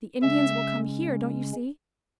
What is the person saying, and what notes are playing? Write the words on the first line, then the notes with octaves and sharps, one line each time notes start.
The Indians will come HERE, don't you see?
C#3 G#3 C#4 E5